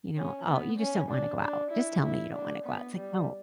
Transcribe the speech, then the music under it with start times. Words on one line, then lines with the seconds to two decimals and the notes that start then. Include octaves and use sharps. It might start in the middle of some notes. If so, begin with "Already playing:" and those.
you know, "Oh, you just don't wanna go out. Just tell me you don't wanna go out." It's like, "No"
0.18 C#4
0.48 B3
0.79 C#4
1.11 D4
1.41 D4
1.72 E4
2.02 E4
2.34 D4
2.65 B3
2.96 G3